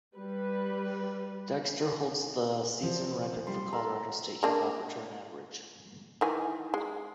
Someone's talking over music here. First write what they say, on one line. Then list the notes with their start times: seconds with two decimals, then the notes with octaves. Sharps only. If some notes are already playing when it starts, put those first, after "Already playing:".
Dexter holds the season record for Colorado State kickoff return average.
0.16 G3 B4
2.83 F3
3.47 G3 C6
3.73 A4 A#4
4.43 G#3 A#3 D4
6.21 D#3 E3 G#5
6.74 G#3